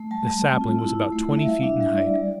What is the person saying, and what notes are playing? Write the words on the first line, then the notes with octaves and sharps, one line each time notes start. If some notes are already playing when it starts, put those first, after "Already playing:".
The sapling was about twenty feet in height.
Already playing: A3
G3 A5
G3
C4
F4
E4
E4
A3
E4
E5
G3 F5
D4 E5
G3 E5
G3 D5
G3